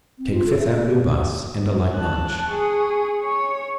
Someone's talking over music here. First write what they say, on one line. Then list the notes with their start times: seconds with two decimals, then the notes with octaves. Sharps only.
Take Fifth Avenue bus, and a light lunch.
0.18 C4
0.31 F4
0.47 A4
0.59 E5
0.74 A3
0.86 G4
1.95 A5 F#6
2.49 G#4 C#6
3.20 C#5 C#6